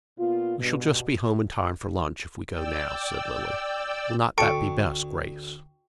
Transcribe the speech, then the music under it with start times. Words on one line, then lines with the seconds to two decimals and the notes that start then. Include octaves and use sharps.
"We shall just be home in time for lunch if we go now," said Lily. "Will not that be best, Grace?"
0.18 A#2 B3 F4
0.60 G2 B2
2.49 D5 G5 E6
4.38 D2 A4 G5 C#6 C#7